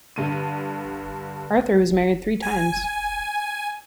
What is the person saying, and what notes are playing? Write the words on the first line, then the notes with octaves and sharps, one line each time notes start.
Arthur was married three times.
G2 D3 D#7
G#5